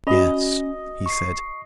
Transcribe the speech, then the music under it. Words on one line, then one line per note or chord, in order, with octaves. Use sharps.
"Yes," he said.
C#4 F#4 D#5 B5
C#6 C7